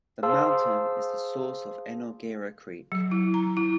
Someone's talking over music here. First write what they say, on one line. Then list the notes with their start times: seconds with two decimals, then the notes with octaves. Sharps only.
The mountain is the source of Enoggera Creek.
0.23 G#4 C5 F5 A5 C6 E6
2.92 F#3
3.11 E4
3.34 A#5
3.57 E4